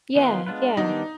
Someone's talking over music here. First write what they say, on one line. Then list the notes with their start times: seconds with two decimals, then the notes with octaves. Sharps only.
Yeah, yeah.
0.16 D#3 B3 F4 G#4
0.46 G#3 B3 D4 F4 B4
0.77 D#3 G3 B3 D4 D#4 D#5